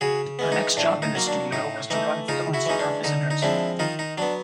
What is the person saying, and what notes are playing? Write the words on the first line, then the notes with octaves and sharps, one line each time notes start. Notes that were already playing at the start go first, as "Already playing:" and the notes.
Her next job in the studio was to run films for visitors.
C#3 F#4 G#4
E3 G#3 B3
D#4
A2 D4
D#4
F#3 A#3
D4
A2 D#4
E3 A3 D#4
C#3 D#4 F4
E4 F#4
E3 G#3 C#4 D#4
D4
D3 D#4
D#4
F3 G#3 C4 D4 E4
D#3 D#4 F4
D#4
F#3 B3 D4